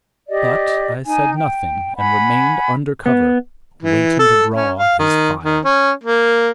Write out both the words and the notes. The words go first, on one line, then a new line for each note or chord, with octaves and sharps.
But I said nothing and remained under cover, waiting to draw his fire.
G4 D5 D#5
D#4 G#5
G5
F#5 G#5 B5
B3
E3
A4
C#4
F5
D#3
D#3
C#4
A#3